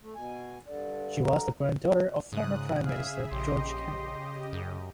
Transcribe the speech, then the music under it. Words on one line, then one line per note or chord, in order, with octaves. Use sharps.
She was the granddaughter of former Prime Minister George Canning.
A3
B2 G#5
G2 D3 D5
A#5
G#2 C#3 D#6 F#6
G#4 E5 F5
A#1 G4 D#5 C6
F#2